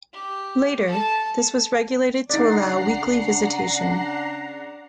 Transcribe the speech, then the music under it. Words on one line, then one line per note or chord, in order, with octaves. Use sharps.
Later, this was regulated to allow weekly visitation.
G4
A4 A5
C#3 D4 D#4 D5 F#5 A#5 C7